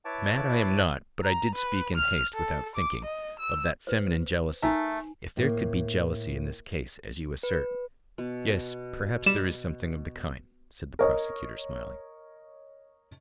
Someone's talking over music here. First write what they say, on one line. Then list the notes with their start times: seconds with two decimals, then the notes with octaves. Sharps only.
"Mad I am not, but I did speak in haste, without thinking ... of that feminine jealousy ... if there could be jealousy in this case, as you assert ... yes, perhaps there is something of the kind," said the prosecutor, smiling.
0.05 E4 B4 C#5 A5 D6
1.24 A#5
1.55 B4
1.95 F6
2.34 A4
2.75 D6
3.05 D#5
3.39 E6
3.87 B4 C5
4.62 A3 D#4 A#4 G#5
5.37 A2 A#3
7.43 B4
8.18 B2
9.26 G3 E7
10.99 A#4 C#5 D#5